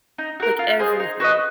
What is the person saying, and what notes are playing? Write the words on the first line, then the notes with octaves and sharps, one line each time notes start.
Like, everything.
D#4
F#4 A#4
F4
G#4 C5 D#5
D#4
F#4 B4 D#5